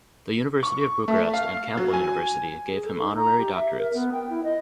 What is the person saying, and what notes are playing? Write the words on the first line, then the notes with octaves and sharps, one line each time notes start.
The University of Bucharest and Campbell University gave him honorary doctorates.
C#6
A3
F5
F#3
G#5
G#4
A4
D#4
A#5
G4
E5
A#4
B3
G5
E4
D#5